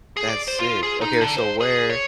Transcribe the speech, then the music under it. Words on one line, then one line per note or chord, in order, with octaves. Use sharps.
That's sick. Okay, so where
G#4
D5
C5
F4
G#4
D#4
D3
C5
G#4
C#5